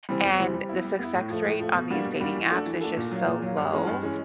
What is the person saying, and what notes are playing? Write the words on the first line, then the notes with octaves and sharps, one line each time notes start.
and the success rate on these dating apps is just so low,
C3 E3 G3 C4
E2
C3 E3 G3 C4
G3
B3 E4
G3
B3 E4
A2
F3 A3
A2
F3 A3
B2
G3 A#3 D4 F#4
B2
G3 A#3 D4 F#4
E3
A3 D4 F#4 A4
E3
A3 D4 F#4 A4
A#2
F#3 A#3
A#2
F#3 A#3
G2
E3 G#3 C#4
G2
E3 G#3 C#4